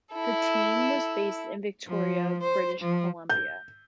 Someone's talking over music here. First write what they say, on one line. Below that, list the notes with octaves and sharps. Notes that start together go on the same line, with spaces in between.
The team was based in Victoria, British Columbia.
E4 A4
F3
C5
F3
G6